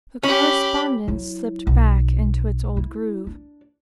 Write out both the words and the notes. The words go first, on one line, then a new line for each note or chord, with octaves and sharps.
The correspondence slipped back into its old groove.
C#4 G4 B5
F#3 E4
B1
E4
D4